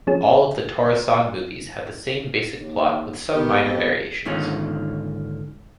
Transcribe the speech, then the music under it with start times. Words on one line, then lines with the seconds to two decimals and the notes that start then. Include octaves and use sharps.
All of the Tora-san movies had the same basic plot with some minor variations.
0.07 F3 C#4 G#4
2.61 D#2
3.33 D#3 B3 G4
3.65 F2
4.25 G#2 D3 D#3 C#4 F4 G#4